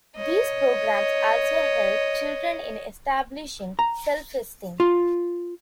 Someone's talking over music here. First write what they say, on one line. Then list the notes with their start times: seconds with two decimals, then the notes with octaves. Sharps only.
These programs also help children in establishing self-esteem.
0.16 C#5 D#5
3.79 A#5
4.80 F4